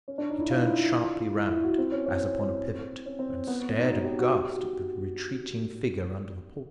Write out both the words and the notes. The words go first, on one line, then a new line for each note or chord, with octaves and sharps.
He turned sharply round, as upon a pivot, and stared aghast at the retreating figure under the porch.
C#4
D4
D#4
E4
F4
E4
F4
E4
E4
F#4
C4
C#4
C#4
C4
C#4
C4
B3
C#4
D#4
F#4
G4
F#4
G4
F#4